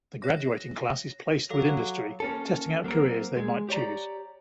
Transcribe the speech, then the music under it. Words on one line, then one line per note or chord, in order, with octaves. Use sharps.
The graduating class is placed with industry, testing out careers they might choose.
C#5 A#6
F#3 A4 F5
A#3 C#4 A4
F#3 A#3 C4 A#4
G#3
G4 C#5 D5 A#5